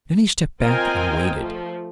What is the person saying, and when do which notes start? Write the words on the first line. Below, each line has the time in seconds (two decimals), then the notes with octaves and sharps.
Then he stepped back and waited.
0.62 C4 F4 A#4 D#5 G5 G#5
1.36 F3 A3